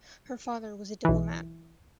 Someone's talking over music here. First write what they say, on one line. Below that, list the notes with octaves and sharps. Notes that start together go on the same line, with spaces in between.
Her father was a diplomat.
B1 E3